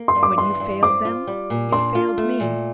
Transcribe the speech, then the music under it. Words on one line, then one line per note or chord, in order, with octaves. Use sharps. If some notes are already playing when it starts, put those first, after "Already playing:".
When you failed them, you failed me.
Already playing: A#3
C6
G2
D6
E3 C6
G2
C4 D6
F4
G3
A#2
D4 C6
F4
A3
A#2